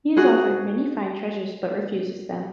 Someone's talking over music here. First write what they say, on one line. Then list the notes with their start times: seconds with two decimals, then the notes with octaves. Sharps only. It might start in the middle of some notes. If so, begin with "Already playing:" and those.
He is offered many fine treasures but refuses them.
0.17 F#4 G#4